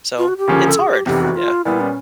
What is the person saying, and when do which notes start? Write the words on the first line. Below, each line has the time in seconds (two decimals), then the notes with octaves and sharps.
So, it's hard! Yeah.
0.18 F4
0.28 F#4
0.37 G4
0.48 D2 C#3 F3 A#3 C#4
0.68 A4
0.78 G#4
0.92 G4
1.06 F1 E2 C3 G4
1.22 F#4
1.36 F4
1.65 A#2 G3 B3 E4
1.80 C#4